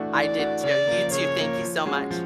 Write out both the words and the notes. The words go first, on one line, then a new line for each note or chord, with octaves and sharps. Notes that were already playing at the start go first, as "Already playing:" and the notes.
I did too. You too, thank you so much.
Already playing: E3 A3 D4 F#4
E3 D5
A3 D4 F#4
C#3 D5
F3 A#3
C#3 C#5
F3 A#3
F3
G#3 C#4 F#4
F3